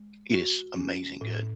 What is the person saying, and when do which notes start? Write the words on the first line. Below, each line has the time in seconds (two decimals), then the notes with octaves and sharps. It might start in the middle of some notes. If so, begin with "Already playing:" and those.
It is amazing good.
Already playing: G#3
0.32 F#4
0.76 C#4
1.21 A2